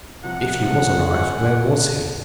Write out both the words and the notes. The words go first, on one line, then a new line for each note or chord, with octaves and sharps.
If he was alive, where was he?
C2 C3 F3 F#5
C2 C3 F3 F#5
D#2 C#3 G#3 D#4 G#4